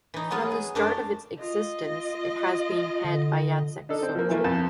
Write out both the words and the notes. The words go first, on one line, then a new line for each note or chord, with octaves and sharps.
From the start of its existence it has been head by Jacek Socha.
E3 D#4
F#3 G#3 B3 F4
G#4
F#2 A3 D4 C5 D5 A#5
F4 D#5
D3
D4 D#4 A4
C4
F3 A#3
E3 F3 A3 A#3
F2 A5